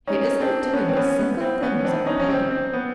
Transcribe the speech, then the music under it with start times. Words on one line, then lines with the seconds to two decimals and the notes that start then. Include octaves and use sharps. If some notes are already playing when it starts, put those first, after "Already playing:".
"He isn't doing a single thing without pay."
0.07 C#4 D#4
0.40 C4 D4
0.73 B3 C#4
0.88 C4
0.96 B3 C#4
1.18 B3
1.41 C4
1.63 B3 C#4
1.85 C4 D4
2.06 C#4 D#4
2.20 C#4
2.29 C4
2.51 C4
2.73 B3